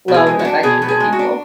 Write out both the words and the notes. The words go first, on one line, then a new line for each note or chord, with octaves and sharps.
love and affection to people.
B2
G#4
G#3
F#4
D4
B2 G#4
B2
G#4
G#3
F#4
D4